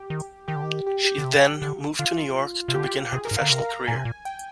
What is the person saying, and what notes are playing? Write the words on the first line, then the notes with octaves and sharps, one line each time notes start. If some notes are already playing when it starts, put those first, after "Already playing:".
She then moved to New York to begin her professional career.
Already playing: G4
D#3
D#3 G4
D3
D#3
G4
G4
D3
C3
D3
D3 F4
C3 F4
D3 G4
G4
C3 G#4
A#4
G#2
F5
D3
C3 A#5
A#5
A#2 G#5
C3
A#2
G5